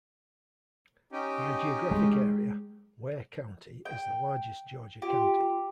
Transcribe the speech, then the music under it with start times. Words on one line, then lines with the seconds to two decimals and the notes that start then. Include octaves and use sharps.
By geographic area, Ware County is the largest Georgia county.
1.12 C#4 D#4 G4
1.91 G#3
3.85 G5
5.02 F4 G4